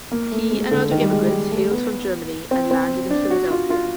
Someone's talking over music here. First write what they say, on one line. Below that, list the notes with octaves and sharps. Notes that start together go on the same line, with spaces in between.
He and other immigrants hailed from Germany and landed in Philadelphia.
A#3
A3
G#3
D3
D#3
G3
G#3
G3
G#3
A3
B3
C4
C4
D4
F#4
F4
F4